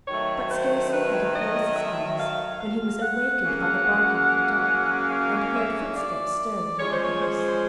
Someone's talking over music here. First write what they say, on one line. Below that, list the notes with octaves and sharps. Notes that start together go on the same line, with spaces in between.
But scarcely had he closed his eyes when he was awakened by the barking of the dog, and heard footsteps stirring in the house.
D#3 F#3 A3 C#5
C5
B4
D#5
E5
F5
F5
F#5
C#3 F#3 A#3 C#4
F5
E5
D5
F3 G#3 C#4 C#5
C5
C#5
C5